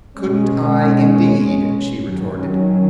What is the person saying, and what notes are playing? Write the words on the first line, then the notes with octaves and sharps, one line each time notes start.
"Couldn't I, indeed," she retorted.
B2 G#3 C#4
D#3 F#3 C#4